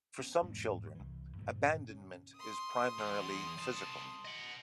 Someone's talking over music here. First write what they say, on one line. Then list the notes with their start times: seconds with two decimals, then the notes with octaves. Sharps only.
For some children abandonment is primarily physical.
0.19 B3 C#4
0.41 E1 G#2 G3
0.95 C2 E3
1.37 G2 A#2 D3 F3
1.90 C#4
2.36 C6 D#6
2.99 E2
3.58 C2 A5
4.25 D#5 F#5